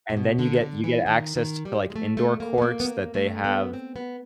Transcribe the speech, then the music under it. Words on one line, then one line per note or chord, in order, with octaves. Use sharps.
and then you get you get access to, like, indoor courts that they have,
A#2
B2
D3
D3
E3
D#3
D#3
G3
G#3
A3
A3
A#3
B3
A#3
B3
A#3
A3
B3
C4
B3